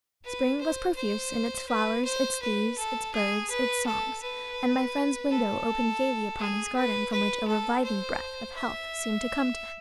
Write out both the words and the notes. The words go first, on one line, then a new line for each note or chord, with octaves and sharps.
Spring was profuse in its flowers, its leaves, its birds, its songs; and my friend's window opened gaily upon his garden, from which a reviving breath of health seemed to come to him.
B4
C5
C5
B4
C5
B4
A4
G#4
B4
A4
B4
A4
G#4
B4
B4
A4
C5
E5